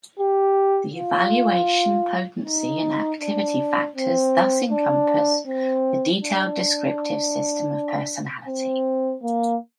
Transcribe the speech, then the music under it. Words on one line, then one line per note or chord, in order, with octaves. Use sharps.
The evaluation, potency and activity factors thus encompass a detailed descriptive system of personality.
G4
F4
D#4
D4
C4
D4
C4
D4
C4
A#3